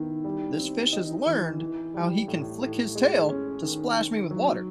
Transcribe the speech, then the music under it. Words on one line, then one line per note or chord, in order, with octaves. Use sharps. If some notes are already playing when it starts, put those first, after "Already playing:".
this fish has learned how he can flick his tail to splash me with water.
Already playing: D#3 B3 E4
G3
C4
D#4
E3
E3
G3
A2
A2
G#3
C#4
D#3
D#3
F#3